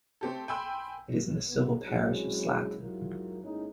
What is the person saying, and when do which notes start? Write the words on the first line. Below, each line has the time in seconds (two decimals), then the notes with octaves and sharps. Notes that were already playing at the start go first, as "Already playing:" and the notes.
It is in the civil parish of Slapton.
0.21 A3 C4 G4 A4
0.48 G5 G#5 B5 C6 E6 G6
1.50 B2 D3 F3 B3
1.83 F#3 G#3 C4 C#4 E4 F#4
2.81 G#2 F#3 E4 F4 A#4
3.42 A2 G#3 A#3 C#4 D#4 E4